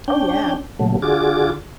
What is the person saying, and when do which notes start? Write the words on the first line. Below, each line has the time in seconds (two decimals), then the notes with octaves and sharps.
Oh, yeah.
0.08 C#4 D4 G5
0.79 A#2 C#3 F#3 A3
1.02 D3 F4 F#4 G#4 D6 A6